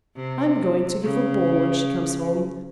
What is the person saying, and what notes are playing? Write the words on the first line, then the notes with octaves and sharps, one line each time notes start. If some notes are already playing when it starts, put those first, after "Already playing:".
I am going to give a ball when she comes home.
C3
C#3